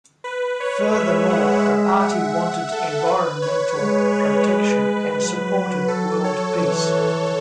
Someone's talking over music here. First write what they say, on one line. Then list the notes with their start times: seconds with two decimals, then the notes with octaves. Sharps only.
Furthermore, the party wanted environmental protection and supported world peace.
0.24 B4
0.60 C#5
0.95 G#3 E5
1.30 F#5
1.65 E5
2.00 F#5
2.37 E5
2.72 A4
3.06 B4
3.42 C#5
3.77 G#3 C#5
4.13 B4
4.47 B4
5.18 F#3
5.88 A4
6.24 C#5
6.60 E3 A4
6.94 A4